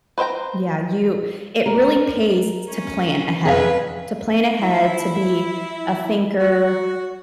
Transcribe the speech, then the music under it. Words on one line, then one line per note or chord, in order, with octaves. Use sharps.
Yeah, you it really pays t t to plan ahead. To plan ahead, to be a thinker,
B4 C5 E5 G5 A#5
A#4
C#4
F2 G#4 B4 E5 F5
E4
F#4